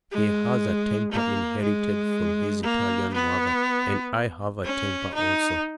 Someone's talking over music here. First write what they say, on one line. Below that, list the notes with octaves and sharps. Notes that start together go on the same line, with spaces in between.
He has a temper inherited from his Italian mother, and I have a temper also.
G#3
A#3
G#3
A#3
B3
C#4
D#4